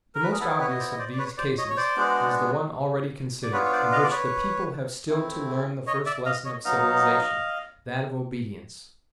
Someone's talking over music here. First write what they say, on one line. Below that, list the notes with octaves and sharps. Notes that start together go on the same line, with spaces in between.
The most obvious of these cases is the one already considered, in which the people have still to learn the first lesson of civilization, that of obedience.
A#4
B4
G#4 A#4
B3 E4 A4 B4
B4 C#5
D#5
C5 D5
D#5
C5 D5
D5
B4 C#5
C5 D5
C#5 D#5
C#5
C5 D5
G#3 B3 D4 F#4
D5
B3 D4 F4 B4 C#5
C#5
C5 D5
D#5 F5
D5
B4 C#5
A3 C4 E4
C#5 D#5
D5 E5
D#5 F5
C#5 D#5
F#3 B3 D#4 D#5 F5